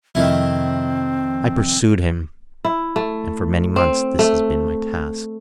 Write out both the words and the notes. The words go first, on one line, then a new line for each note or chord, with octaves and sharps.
I pursued him, and for many months this has been my task.
F2 C3 D#3 F3 A3 C4 E4
E4
A3
C4
A3